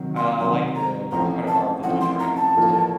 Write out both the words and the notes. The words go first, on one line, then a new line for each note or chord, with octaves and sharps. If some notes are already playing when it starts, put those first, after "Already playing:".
I I like that, uh, you b kinda brought up the teacher angle to this, too.
Already playing: C3 D#3 F#3
C6
C3 D#3 F#3 C6
A#5
A1 A2 F3 C4 A#5
A5
A1 A2 F3 C4 F#5
C6
A#5
A5
A1 A2 F3 A#3 F4